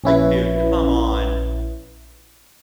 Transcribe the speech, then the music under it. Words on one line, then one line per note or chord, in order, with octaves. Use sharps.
like, dude, come on,
A#1 C#4 E4 B4